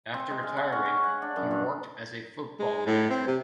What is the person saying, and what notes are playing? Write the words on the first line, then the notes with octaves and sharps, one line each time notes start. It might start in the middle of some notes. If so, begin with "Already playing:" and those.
After retiring, he worked as a football manager.
C4
G#3
F5
F#5
C#4
C#5
F#5
D4
F#2
G2
G#3
A2
C4
C3